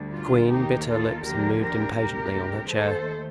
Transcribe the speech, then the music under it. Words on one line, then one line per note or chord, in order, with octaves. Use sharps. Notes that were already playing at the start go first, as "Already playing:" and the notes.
The queen bit her lips and moved impatiently on her chair.
Already playing: D2 D3 G3
D4 F4
D#2 D#3 A#3 D#4 G4
F4 A4
D2 D3 F3 A#3 G4 A#4
G4 A#4
D2 C3 G3 A#3 G4 A#4
D#2 D#3 A3 A4 C5